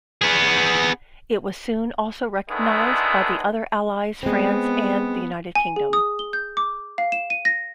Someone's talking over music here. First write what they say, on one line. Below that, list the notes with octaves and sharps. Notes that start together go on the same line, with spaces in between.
It was soon also recognized by the other Allies, France and the United Kingdom.
B3 G#4
D3 D#3 G#3 A3 B3
G#3 B3 C4
G#5
G#4
D#6
G7
G6
D6
F5
E7
D#7
A#6